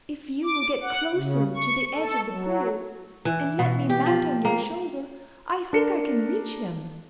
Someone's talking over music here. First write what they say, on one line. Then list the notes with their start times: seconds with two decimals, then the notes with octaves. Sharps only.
If you will get closer to the edge of the pool, and let me mount on your shoulder, I think I can reach him.'
0.44 D6
0.82 F#5
1.14 C#3
1.55 C#6
1.95 A4
2.30 F#3
3.25 E3
3.59 B2
3.90 G4
4.06 F3
4.45 A#3
5.73 D4 A#4 C#7